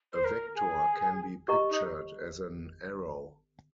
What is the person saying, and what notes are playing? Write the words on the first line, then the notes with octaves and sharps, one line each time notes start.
A vector can be pictured as an arrow.
C5
A#4
G#4
G4 A#4 D#5 A#5 C#6
D#4